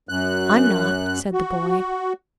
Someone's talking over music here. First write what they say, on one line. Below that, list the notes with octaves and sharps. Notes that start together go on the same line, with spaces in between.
"I'm not," said the boy.
F#2 F#6
F#4